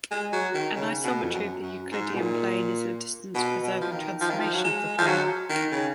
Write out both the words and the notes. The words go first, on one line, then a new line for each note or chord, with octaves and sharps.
An isometry of the Euclidean plane is a distance-preserving transformation of the plane.
G#3
F#3
D#3
C#3
B2
F2
F#2
F#2
G#2
B2
A#2
B2
B2
F3
D#3
F3
D#3
F3
F#3
G#3
F3
F#3
D#3
C#3